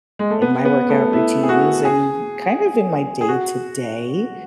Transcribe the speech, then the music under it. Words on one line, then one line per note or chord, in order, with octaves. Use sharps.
in my workout routines and kind of in my day-to-day,
G#3
A3
B3
B3
A3
E4
G#4
F#4
G#4
G#4
F#4